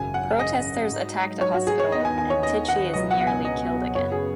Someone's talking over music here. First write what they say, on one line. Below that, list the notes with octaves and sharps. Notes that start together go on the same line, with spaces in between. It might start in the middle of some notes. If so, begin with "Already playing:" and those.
Protesters attack the hospital, and Tichy is nearly killed again.
Already playing: G#1 F#2 C#3 G#5
F#5
D#5
G#2 F#3 D#4
C#5
F#4
G#4
C#5
D#2 D#3 B3 D#4 D#5
G#5
G#5
C#5
D#5
F#5
C#2 B2 F#3 B3 D#5
F#5
F#5
G#5
D#5
F#2 C#3 B3 C#5
G#4